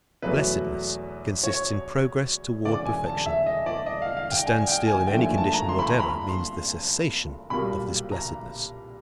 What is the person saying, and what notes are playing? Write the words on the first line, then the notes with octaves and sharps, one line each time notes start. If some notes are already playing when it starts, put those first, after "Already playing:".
Blessedness consists in progress toward perfection; to stand still in any condition whatever means the cessation of this blessedness.
E2 B2 F#3 A3 B4
C#5
E1 E2 C#3 D5
G#5
A5
E5
D#5
D5
D#5
F5
F5
G5
G#5
G5
G#5
D#2 D3 F3 A3 G5
G#5
A5
A#5
C6
B5
A#5
B5
C6
B1 A#2 G3 A#3 B5
A#5